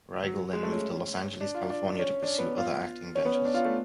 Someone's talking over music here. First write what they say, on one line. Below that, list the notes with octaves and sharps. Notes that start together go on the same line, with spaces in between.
Riegel then moved to Los Angeles, California to pursue other acting ventures.
F#3
G#3
A3
C#4
D4
F4
D4
C#4
D4
C#4
B3
F4
C#4
B3
C#4
D4
F4
A3